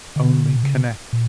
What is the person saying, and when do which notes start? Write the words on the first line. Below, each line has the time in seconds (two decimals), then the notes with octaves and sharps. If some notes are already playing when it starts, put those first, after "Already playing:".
Only connect!
0.16 D3
0.49 C#3
0.56 A#2
0.63 C#3
1.13 A#2